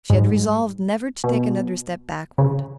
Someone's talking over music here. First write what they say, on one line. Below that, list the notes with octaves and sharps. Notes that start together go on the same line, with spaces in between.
She had resolved never to take another step backward.
G#2
B2
C#3